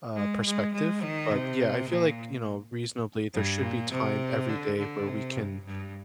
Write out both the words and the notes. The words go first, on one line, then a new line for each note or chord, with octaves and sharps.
uh, perspective, but yeah, I feel like, you know, reasonably there should be time every day where we can
G#3
G#3
G#3
D#3
C3
A#2
G2
A#2
C3
D3
D3
C3
G2
G2